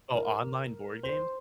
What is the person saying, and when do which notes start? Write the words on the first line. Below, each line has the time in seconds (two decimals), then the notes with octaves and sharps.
Oh, online board games?
0.15 A#4
1.03 C5